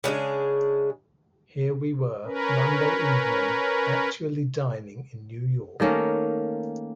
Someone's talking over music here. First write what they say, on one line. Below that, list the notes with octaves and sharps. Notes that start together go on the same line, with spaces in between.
Here we were, Monday evening, actually dining in New York.
C#3 G#3 D4 G#4
C#4 A#4 B4
D#3 A3 A#3 C#4